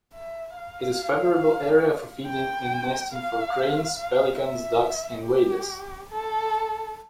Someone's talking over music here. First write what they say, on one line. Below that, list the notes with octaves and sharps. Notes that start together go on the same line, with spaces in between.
It is favorable area for feeding and nesting for Cranes, Pelicans, Ducks and Waders.
E5
F5
G5
F5
F5
E5
G4
A4